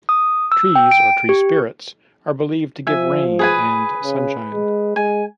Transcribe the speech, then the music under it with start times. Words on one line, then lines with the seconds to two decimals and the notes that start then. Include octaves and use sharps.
Trees or tree-spirits are believed to give rain and sunshine.
0.09 D#6
0.52 E6
0.75 G5
0.91 D7
1.29 G4
2.87 F3 E5 G#5
3.39 G#4 B4 G#5
4.04 C#3
4.52 G#3
4.96 G#3 G#5